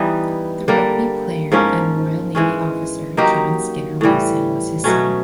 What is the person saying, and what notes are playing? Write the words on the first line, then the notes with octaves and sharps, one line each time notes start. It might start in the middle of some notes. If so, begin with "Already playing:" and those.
The rugby player and Royal Navy officer John Skinner Wilson was his son.
Already playing: E3 G3 B3 D#4
D3 G3 A#3
G#2 F3 A#3 C#4
E3 G#3 C#4
F#3 A#3 D#4 G4
A2 E3 G3
B2 F#3 A3 C#4